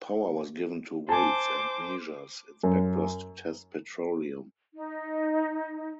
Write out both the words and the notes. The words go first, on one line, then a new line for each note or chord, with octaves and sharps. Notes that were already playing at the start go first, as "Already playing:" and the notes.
Power was given to Weights and Measures inspectors to test petroleum.
C5 G#5 A5 D6
F#2
D#4